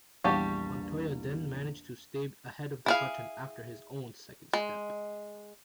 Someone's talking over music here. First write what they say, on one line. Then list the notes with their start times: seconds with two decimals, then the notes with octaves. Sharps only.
Montoya then managed to stay ahead of Button after his own second stop.
0.24 A#1 E2 G3 G4 F5 F#5 A5 C#6
2.86 E4 G#4 F5
4.53 G#3